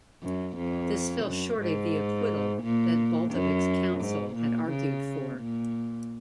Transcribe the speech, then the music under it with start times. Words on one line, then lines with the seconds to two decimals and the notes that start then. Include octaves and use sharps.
This fell short of the acquittal that Baltovich's counsel had argued for.
0.23 F#2
0.57 F2
1.26 F#2
1.60 G#2
2.63 A#2
3.32 F#2
4.01 G#2
4.35 A#2
4.69 C#3
5.39 A#2